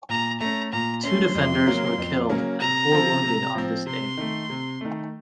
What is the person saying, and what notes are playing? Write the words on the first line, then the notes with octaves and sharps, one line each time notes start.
Two defenders were killed and four wounded on this day.
A#2 A#5
A3 C#4 A#5
A#2 A#5
A3 C#4 C6
F2
C#3 F#3 A#3 C#4
F2
C#3 F#3 A#3 C#4
C3 A#5
F3 C4
C3
F3 C4
C3 C6
D#3 A3
C3
D#3 A3